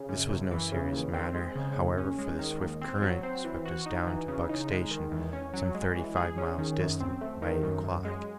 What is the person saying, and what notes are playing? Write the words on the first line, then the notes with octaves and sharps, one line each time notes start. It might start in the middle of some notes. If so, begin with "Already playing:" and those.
This was no serious matter, however, for the swift current swept us down to Buck Station, some thirty-five miles distant, by eight o'clock.
Already playing: C#3
F#2
F#2
E3
C#3
D#2
C4
G#3
C#3
D#2
C#4
G#3
D#3
D#2
C4
F#3
C4
E3
F#4
D#4
E3
C#3
D#4
G#3
D#3
E2
C#4
F#3
G#3
E3
G#4
C#4
D#3
F#2
C4
A3
D#3
F#2
F#2
G#3